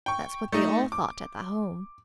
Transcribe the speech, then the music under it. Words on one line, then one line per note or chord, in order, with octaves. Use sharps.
That's what they all thought at the Home.
G5 C#6
A3 D#4
D6